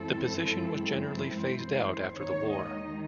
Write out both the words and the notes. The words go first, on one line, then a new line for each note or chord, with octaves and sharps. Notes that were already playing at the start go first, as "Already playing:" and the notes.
The position was generally phased out after the war.
Already playing: F#2 E3 G#3 C4 E4 A4
C5
D#2 D#3 G#3 D#4 C#5
D#5